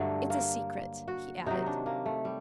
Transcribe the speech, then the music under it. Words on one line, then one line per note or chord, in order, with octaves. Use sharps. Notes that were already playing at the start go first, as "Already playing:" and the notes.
"It's a secret," he added.
Already playing: G2 D3 F#3 A3
A#3
F#4
C3 D#3 F#3 D#4
D4
A#3
A3
G3